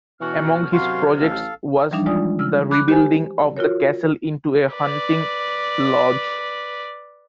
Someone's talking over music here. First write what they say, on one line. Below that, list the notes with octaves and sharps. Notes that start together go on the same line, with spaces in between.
Among his projects was the rebuilding of the castle into a hunting lodge.
B2 E3 C#4 F#4 F6
F#2 C3 D#3 F#3 F#4 F5 C6
A1 A4 F5
E3 F3 G3 D4 D#4
G#3 F4 D5 D#6
E6 F6
B5 D6 F#6
G4 C5 G#5
F4 F#4 A#4 C#5
B4 D5